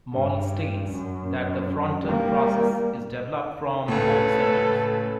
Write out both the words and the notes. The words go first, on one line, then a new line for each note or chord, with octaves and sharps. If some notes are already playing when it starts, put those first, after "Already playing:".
Mall states that the frontal process is developed from both centers.
G2
F#2
G3 A#3
C#2 A2 C#4 A4 B4